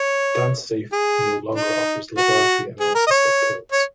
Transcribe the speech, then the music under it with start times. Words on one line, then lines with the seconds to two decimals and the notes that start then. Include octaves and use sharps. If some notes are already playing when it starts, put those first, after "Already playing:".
DanceSafe no longer offers laboratory analysis of pills.
Already playing: C#5
0.92 G#4
1.55 D#4
2.17 F#4
2.80 G#4
2.95 A#4
3.07 D#5
3.11 C#5
3.72 C#5